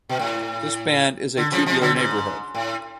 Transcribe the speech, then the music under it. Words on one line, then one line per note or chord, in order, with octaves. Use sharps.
This band is a tubular neighborhood.
B2
A2
D3
C#3 F3
F3 G#3
D3 F#3
G#2
A2